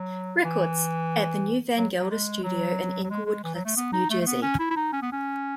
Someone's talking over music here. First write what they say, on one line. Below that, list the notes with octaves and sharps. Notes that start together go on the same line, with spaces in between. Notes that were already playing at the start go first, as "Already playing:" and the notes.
Records, at the new Van Gelder Studio in Englewood Cliffs, New Jersey.
Already playing: F#3
E3
F#3
F#3
G#3
F#3
F#3
G#3
G#3
E3
F#3
A3
B3
D#4
A3
A3
B3
C#4
E4
E4
D#4
C#4
B3
C#4